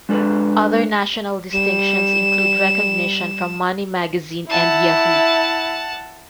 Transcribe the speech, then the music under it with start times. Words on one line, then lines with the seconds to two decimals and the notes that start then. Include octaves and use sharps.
Other national distinctions include recognition from Money Magazine and Yahoo!
0.09 G#3 D4 A4 B4
1.53 G3 E7
4.49 E4 F#5 A5